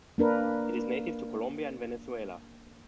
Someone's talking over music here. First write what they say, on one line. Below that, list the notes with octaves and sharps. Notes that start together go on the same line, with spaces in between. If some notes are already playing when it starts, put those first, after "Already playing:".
It is native to Colombia and Venezuela.
A#3 D4 A#4 B4